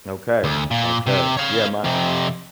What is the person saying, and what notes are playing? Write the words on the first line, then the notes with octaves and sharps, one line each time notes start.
Okay, okay. Yeah, my
D2
A#2
C3
C#5 F5
F2 C3